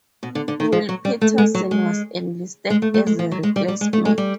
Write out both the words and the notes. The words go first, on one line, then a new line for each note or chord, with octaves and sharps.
Will Patterson was enlisted as a replacement.
B2
D3
D3
D#3
F3
F#3
G3
A3
G#3
F#3
G#3
G#3
A3
A3
G#3
F3
F#3
G#3
G3
G3
G#3
A3
G#3
G3